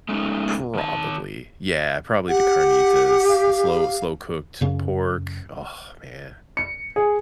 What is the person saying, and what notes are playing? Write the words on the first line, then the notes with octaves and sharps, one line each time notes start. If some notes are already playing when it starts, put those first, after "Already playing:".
Probably, yeah, probably the carnitas, the slow slow-cooked pork. Oh man,
G#3 A3 C#4 D#4
D#3 A5
G4 F#5
F5
F#2 C#3 C#4
C#7
G#4